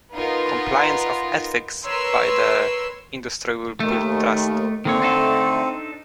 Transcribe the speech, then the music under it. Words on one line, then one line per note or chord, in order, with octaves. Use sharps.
Compliance of Ethics by the industry will build trust.
B3 D#4 F4 A#4
A#4 B4 C#5 C6 E6
D#2 D#3 A3
D3 D#3 A3 A#3 C4 C#5
D4 D#4 A4